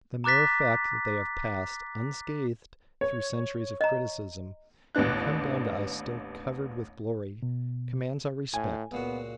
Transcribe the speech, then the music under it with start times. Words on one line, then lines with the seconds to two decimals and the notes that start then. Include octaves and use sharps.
The mere fact that they have passed unscathed through centuries of criticism and come down to us still covered with glory commands our respect.
0.24 A#5 D6 F#6 A6 B6
3.01 C#5
3.81 D#5 A#5
4.95 A1 D#2 B3 D4 F#6
7.42 B2
8.54 A2 G#5
8.92 C#2 A#2 B3 F#4